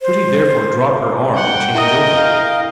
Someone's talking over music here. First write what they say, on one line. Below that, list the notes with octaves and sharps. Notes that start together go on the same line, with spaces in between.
Should he therefore drop her arm and change over?
C5
F#5 G5
E4 A#4 D#5 D#6
F5